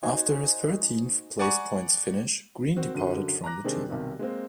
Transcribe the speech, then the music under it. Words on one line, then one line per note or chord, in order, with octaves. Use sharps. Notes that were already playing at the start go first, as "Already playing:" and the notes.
After his thirteenth-place points finish, Green departed from the team.
D#4 F#4 C5 D#5 G#5
D5 F#5 G#5 A#5 C#6
D#3 C4 F#4
F#2 D3 F#3 F#4 D#7
A#5 D6 F#6 A#6
C3 D#3 G#3 C4 D4 G#4
B1 C3 D#3 G3
G#3 A#3 C4